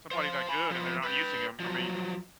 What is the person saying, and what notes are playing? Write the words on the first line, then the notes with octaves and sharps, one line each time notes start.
somebody that good, and they're not using him, I mean
C5 F5
G#5 B5
F3 B3
B4 G5
F3 F#3